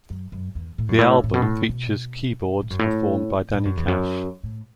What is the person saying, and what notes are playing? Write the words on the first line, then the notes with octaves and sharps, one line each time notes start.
The album features keyboards performed by Danny Cash.
F#2
F#2
E2
A2
F#2
A2
A2
B2
A2
B2
A2
F#2
A2
A2
F#2
E2
F#2
A2